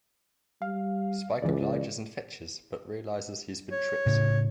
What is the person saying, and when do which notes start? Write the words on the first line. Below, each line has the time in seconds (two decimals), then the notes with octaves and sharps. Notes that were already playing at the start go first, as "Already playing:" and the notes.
Spike obliges and fetches but realises he's been tricked.
0.62 G3 F5
1.42 C#2 E3 D5
3.72 C#5
4.06 A2 C#3